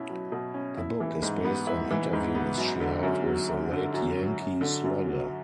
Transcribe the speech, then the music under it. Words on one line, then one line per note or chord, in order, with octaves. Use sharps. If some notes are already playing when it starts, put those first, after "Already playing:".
The book is based on interviews she had with the late Yankee slugger.
Already playing: B2 C#4 E4
F#3
B2
C#4
E4
E3
G#2
B3
E4
E3
G#2
B3
F#2
D3
F#2
F#3
F#2
D3
F#2
F#3
F#2
D3
F#2
F#3